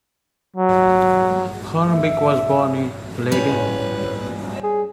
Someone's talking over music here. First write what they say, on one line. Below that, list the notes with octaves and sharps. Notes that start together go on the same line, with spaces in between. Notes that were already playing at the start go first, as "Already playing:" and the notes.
Hoornbeek was born in Leiden.
F#3
E5
A2 G3 C#4 B4
G#4